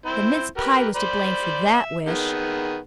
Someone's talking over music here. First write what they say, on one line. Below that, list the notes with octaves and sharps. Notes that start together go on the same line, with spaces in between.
The mince pie was to blame for THAT wish.
C4 E4 C5
G4 A#4 B4
C5 D5 B5
E5
D#3 B3 G#4